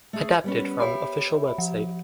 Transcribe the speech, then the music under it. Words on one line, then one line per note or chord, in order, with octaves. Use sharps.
Adapted from official website.
A3 G#4
G3 B3 C#4
G4 C#5 E5 F5 B5
F3